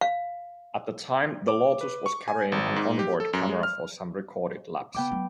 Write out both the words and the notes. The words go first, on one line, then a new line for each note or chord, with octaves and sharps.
At the time the Lotus was carrying an onboard camera for some recorded laps.
F5
D6
B4
C#6
G#5
G#1
G#2
G4
A4
F#2
G#3
F6
C#3 B3 G5 D6
F#3 A3